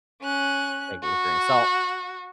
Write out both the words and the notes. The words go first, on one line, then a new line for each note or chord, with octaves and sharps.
take it with a grain of salt.
C#4 F#6
F#4